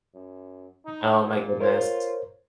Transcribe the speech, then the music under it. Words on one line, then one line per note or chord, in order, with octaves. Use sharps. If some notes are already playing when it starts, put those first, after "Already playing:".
Oh my goodness.
F#2
D#4
A#2
F4 A#4 C5 C#5